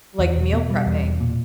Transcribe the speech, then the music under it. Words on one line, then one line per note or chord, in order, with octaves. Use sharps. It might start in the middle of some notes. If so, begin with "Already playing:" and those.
Like, meal prepping.
E2
E1
B2
G3
E2
E1
A#2